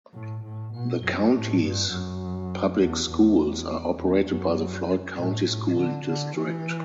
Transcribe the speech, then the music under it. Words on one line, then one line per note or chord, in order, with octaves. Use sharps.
The county's public schools are operated by the Floyd County School District.
A2
A2
B2
F#2
A2
G2
F#2
E2
E2
E2
F#2
A2
A2
D3
D3
E3